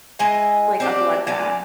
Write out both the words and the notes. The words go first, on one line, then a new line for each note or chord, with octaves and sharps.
like, a bloodbath.
G#3 E4 D#5 G#5
C4 D4 G4
F#3 D5 G#5